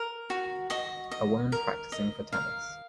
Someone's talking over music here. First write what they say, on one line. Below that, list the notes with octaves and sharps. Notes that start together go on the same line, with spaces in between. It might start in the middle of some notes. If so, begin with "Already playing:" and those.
A woman practicing for tennis.
Already playing: A#4
F#4
F#4 D#5
D#5
A#4
D#5
A#4 F5